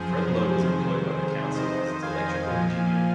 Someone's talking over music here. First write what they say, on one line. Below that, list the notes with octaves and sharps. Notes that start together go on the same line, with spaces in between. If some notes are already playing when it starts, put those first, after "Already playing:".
Fred Lowe was employed by the council as its electrical engineer.
Already playing: F#2 F3 G#4 C5
G#4 C5
F2 C3 D#3
F2 D#3 C5 D#5
F5 G#5
A#2 F3